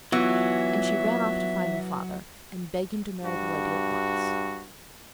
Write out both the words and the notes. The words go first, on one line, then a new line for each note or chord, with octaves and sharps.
And she ran off to find her father, and beg him to marry the lady at once.
E3 F#3 B3 F4 F#4 E5
G2 F#4